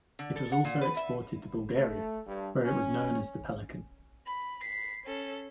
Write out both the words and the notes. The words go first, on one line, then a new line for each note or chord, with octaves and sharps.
It was also exported to Bulgaria, where it was known as the "Pelikan".
D3
A4
F#5
A#2
B4
E5
A3
G2
C#4
B5
B6 C7
C#4 A4